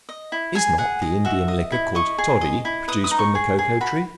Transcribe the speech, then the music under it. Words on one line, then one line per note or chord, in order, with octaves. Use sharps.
Is not the Indian liquor called Toddy, produced from the Cocoa Tree?
D#5
E4
G#4 G#5
G#4 F#5
D#5
F#4 E5
D#5
E4
D#5 C#6
G#4
D#5
E4
B4 D#6
D#6
D#4
C#6
G#4
G#4
F#4 B5